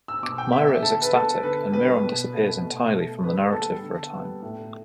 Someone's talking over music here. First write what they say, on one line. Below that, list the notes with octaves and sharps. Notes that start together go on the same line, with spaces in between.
Myra is ecstatic and Myron disappears entirely from the narrative for a time.
E6
B2 D6
G5
B3 E5
E5
D3 A4
B4
B3 A4
D3 B4
G3 B3 B4
B2
A3
B2
A3
D3 B4
G3 B3 A4
D3
G3 B3
A2